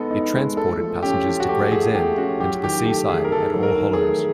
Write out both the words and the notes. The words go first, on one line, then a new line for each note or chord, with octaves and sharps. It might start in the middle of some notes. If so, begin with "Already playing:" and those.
It transported passengers to Gravesend and to the seaside at Allhallows.
Already playing: G#3 B3 D#4 A4
D#4
G#3
A3 A4
F3
C#4 G4
F3
F#4
A3 G4
A3 G#4
F3 G4
C#4 F#4
F#3 G4
D#3 G4
A3 G4
D#3 G#4
A#4
D#3 A4
F#3
A#4
D#3
G#4
A3